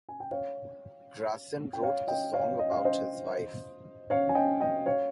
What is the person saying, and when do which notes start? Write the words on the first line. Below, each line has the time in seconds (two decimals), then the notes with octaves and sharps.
Gracin wrote the song about his wife.
0.09 G#5
0.20 G5
0.31 C#5 F5
1.73 G5
1.82 C#5 F5
2.07 D#5 G5
2.33 C#5 F5
2.59 D#5
2.71 F5
2.85 C5 D#5
4.10 C#5 F5
4.29 G#5
4.35 D#5 G5
4.61 D#5 G5
4.86 C#5 F5